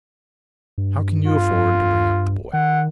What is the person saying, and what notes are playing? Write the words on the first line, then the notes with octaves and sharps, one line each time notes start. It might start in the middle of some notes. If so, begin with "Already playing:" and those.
How can you afford to bring up the boy?
G2
F4
D#3 F#5